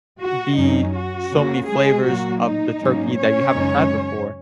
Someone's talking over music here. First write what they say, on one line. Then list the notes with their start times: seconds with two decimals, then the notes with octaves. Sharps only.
be so many flavors of the turkey that you haven't tried before,
0.20 F#4
0.57 F#2 F#3 C#4 D#4
0.95 F#4
1.31 C#3 A#3 C#4
1.68 G#3 G#4
2.05 A#2 F#3 A#3 F#4
2.41 D#4
2.80 G#2 F#3 A#3 C#4
3.15 C#4 C#5
3.53 F#2 C#3 G#3 D#4